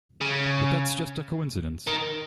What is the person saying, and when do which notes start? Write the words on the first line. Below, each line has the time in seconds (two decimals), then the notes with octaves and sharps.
But that's just a coincidence!
0.21 C#3
1.87 D#3